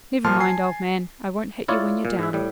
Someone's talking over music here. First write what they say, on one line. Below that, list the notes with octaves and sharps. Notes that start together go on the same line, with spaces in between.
Never mind, old man, I won't hit you when you're down.
A#2 F3 F4 A5 C6 F6
G#5 A5 C7
E4 F4 C#5 D5
A#2
G#2 E5
A2 G3